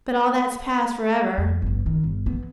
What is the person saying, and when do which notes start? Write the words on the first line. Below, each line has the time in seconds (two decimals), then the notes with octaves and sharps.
But all that's past for ever.
1.38 F2
1.62 G1 C#2
1.86 D#3
2.04 G1
2.26 E3 B3